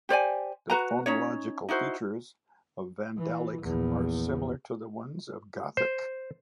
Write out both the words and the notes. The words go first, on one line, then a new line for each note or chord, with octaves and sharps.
The phonological features of Vandalic are similar to the ones of Gothic.
G4 C5 D5 G#5
F#4 B4 A#5
C#4 D#4 C#5
D#4 E4 F#4 C5
E3
A#1 E2
C5